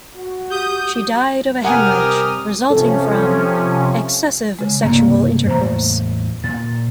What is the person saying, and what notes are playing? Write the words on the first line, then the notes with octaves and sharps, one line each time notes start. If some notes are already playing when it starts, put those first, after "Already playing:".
She died of a hemorrhage resulting from "excessive sexual intercourse".
F#4
G4 D#6 G6
C3 G3 G4 A#4 F#5 G#5 D#6 F6
C3 F3 C#4 A4
C#3 G#3
G2 C3 A3 A#3
E2 A2 A3 C5 A#5
A#2 A6